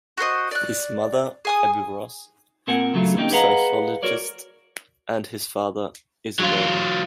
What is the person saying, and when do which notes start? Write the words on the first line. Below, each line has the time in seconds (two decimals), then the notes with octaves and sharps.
His mother, Abby Ross, is a psychologist, and his father is a lawyer.
0.17 F#4 A4 C5 D#5
0.51 D5 F#6
1.45 G#4 G#5 D#6
2.67 A#2 C4 A#4 F#5 G#5
2.94 C#3 F#3 A3 F4
3.17 A#3 C4 C#4 D#4 G4
3.32 G#4 B4 D#5 F5 F#5 A#5
4.03 F#4 A#4 C#5 D5
6.40 F#3 F4